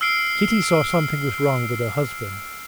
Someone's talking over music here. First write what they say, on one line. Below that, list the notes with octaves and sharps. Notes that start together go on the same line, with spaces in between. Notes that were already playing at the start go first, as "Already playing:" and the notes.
Kitty saw something was wrong with her husband.
E6 F6 C7 D7